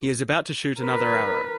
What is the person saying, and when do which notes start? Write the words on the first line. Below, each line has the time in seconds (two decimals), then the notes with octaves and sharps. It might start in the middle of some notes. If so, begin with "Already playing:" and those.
He is about to shoot another arrow.
0.80 A#4 B4